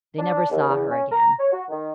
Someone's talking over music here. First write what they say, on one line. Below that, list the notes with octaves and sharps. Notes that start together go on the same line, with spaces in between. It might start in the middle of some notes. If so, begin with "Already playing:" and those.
They never saw her again.
D4
D#2
E2
C#4
A#5
C#5
F#4
D#3